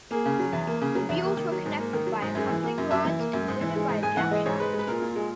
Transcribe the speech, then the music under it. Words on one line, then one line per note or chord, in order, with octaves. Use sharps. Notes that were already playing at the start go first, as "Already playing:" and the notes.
The wheels were connected by coupling rods and driven by a jackshaft.
A#3 G#4
C#3
F#3
E2
A#3
C#3
F#3
E2
A#3
D#3
F#3
G#2
A#3
D#3
F#3
G#2
F#2 G#4
E3
A#3
F#2
F#2 E5
E3
A#3
F#2
G#2
E3
G#3
G#2
G#2 G#5
E3 F#5
G#3 D#5
G#2 C#5
G#3 B4
G#3
B4
A#2 A#4
A#2
G#3